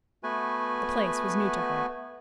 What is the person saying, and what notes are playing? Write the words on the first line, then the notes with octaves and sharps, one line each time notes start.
The place was new to her.
A3 B3 F#4 B4 G#5